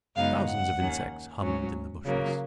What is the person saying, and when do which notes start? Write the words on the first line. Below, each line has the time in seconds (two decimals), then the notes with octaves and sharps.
Thousands of insects hummed in the bushes.
0.16 F#2 C#3 G#3 B3 D#4 F5
0.46 F#5
0.79 D#2 D#3 A#3 C#4
1.41 G#2 F#3 C#4
2.05 C#3 F#3 A#3